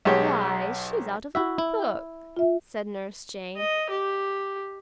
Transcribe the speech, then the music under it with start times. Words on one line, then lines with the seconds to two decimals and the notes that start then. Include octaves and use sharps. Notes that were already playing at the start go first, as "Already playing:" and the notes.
"Why, she's out of a book," said Nurse Jane.
0.05 B1 G#3 G4 C#5
1.35 E4 F#4 E5
1.58 E4
2.37 F4 E5
3.57 D#5
3.91 G4